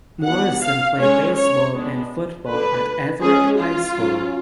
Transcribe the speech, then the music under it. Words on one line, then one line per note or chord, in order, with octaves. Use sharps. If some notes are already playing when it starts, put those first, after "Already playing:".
Morrison played baseball and football at Everett High School.
F#3 B3 D4 F#5
F5
G#3 C#4 C#5
C#5
G#3 B3 D4
D3 F3 A3 D4 B4
G#3 C#4 G#4
F4
F#3 C#4